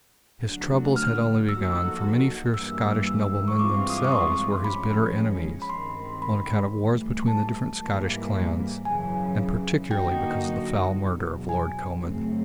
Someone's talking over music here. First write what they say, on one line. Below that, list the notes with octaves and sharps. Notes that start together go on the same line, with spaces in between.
His troubles had only begun, for many fierce Scottish noblemen themselves were his bitter enemies on account of wars between the different Scottish clans, and particularly because of the foul murder of Lord Comyn.
D3 F#3 A3 D4 F#4
F6
F3 A#3 D#4 F#4 A4 E6
G2 E3 G3 A#3 E6
E6
C#6
G2 E3 G#3 C4 F4 D6
D#6
D6
C#6
C6
F3 G#3 C#4 B5
B5
G2 D#3 G#3 C4 C6
B5
A2 E3 G3
A5
G#2 E3 G3 A#3
F#2 C#3 E3 G#5
D3 F#3 A#3 D#4 F#4 G5
E2 B2 F#3
G#5
F#2 C#3 F#3 A3 C4